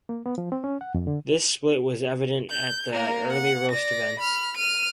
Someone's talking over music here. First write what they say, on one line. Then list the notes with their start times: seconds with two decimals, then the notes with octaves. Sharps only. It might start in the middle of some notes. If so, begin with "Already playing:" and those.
This split was evident at the early Roast events.
0.09 A#3
0.26 B3
0.38 F3
0.52 C4
0.64 C#4
0.81 F#5
0.95 F2
1.07 D3
2.50 G6
2.92 A#3 A#4
3.32 F#5
3.71 D5 A#6
4.19 B5 F6
4.57 F6 D#7